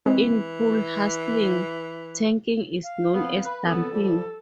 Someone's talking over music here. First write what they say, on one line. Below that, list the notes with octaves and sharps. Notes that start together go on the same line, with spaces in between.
In pool hustling, tanking is known as dumping.
E3 G#3 C4 G#4
F5
F2 B3
B4
F2 C#3 B3 A4
F3 G3